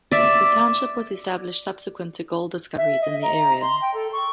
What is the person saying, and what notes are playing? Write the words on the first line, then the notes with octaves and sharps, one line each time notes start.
The township was established subsequent to gold discoveries in the area.
D5 E5
E5
D#5
A#5
C6
G5
A4
C#6